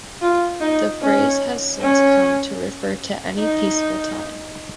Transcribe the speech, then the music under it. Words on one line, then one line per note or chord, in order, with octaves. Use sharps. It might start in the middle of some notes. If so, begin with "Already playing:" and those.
The phrase has since come to refer to any peaceful time.
F4
D#4
C#4
C#4
D#4